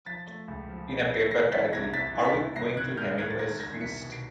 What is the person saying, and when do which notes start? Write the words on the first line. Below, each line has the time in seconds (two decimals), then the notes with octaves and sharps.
In a paper titled Are We Going to Hemingway's Feast?
0.06 F3 A6 B6
0.27 A3
0.48 C#2
0.69 F3
0.89 C#3
1.10 A3
1.31 E3 A#6 C7
1.52 E3 A6 B6
1.73 C2 G#6 A#6
1.93 C2 A6 B6
2.14 E3
2.25 A6 B6
2.35 C2
2.56 G2 A#6 C7
2.77 D#3 F#6 G#6
2.97 G#3 F6 G6
3.18 D#3 F#6 G#6
3.30 A6
3.39 D#3 G#6 A#6
3.60 D#3 G#6 A#6
3.80 C2 B6 C#7
4.01 B2
4.12 C7 D7